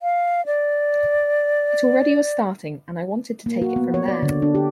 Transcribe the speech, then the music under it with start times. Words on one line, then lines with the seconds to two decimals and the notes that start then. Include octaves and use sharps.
It already was starting and I wanted to take it from there.
0.02 F5
0.46 D5
3.46 A#3
3.62 F#4
3.76 B3
3.94 C#5
4.08 D5
4.23 D3
4.42 D4
4.55 G4